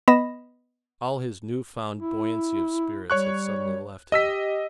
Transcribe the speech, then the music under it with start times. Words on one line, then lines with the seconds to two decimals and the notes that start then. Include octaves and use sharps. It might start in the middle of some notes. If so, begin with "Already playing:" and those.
All his new-found buoyancy of spirits had suddenly left him.
0.08 B3 D#5 B5 A#6 E7
1.98 E4
3.10 G3 C#5 C#6 F#6
4.12 G4 D#5 E6 B6